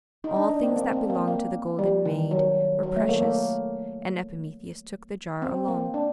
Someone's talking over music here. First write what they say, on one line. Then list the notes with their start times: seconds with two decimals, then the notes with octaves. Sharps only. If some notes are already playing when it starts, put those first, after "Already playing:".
All things that belonged to the Golden Maid were precious, and Epimetheus took the jar along.
0.24 D#4
0.36 D4
0.49 D4
0.63 C4
0.76 A#3
0.93 C4
1.10 A#3
1.28 A#3
1.79 G3
2.05 D#3
2.31 F#3
2.83 F#3
2.96 A3
3.09 A#3
3.22 A#3
5.42 C4
5.68 A#3
5.94 D4